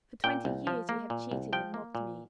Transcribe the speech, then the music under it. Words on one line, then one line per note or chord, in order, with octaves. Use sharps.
For twenty years you have cheated and mocked me.
A#2 G5
C2
F3
A#3
A#2
C2
F3 G5
A#3
A#2